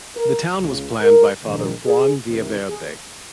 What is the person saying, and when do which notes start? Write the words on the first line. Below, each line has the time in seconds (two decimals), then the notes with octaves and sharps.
The town was planned by Father Juan Villaverde.
0.17 A#4
0.59 C#2 C#3
1.00 A#4
1.43 A#1 G#2 D#3
1.85 G#4
2.27 C#2 C3 D#3
2.69 G#4